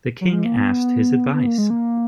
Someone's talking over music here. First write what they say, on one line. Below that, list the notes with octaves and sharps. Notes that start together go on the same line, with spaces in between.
The king asked his advice.
F#3
G#3
A#3
B3
B3
A#3
G#3
A#3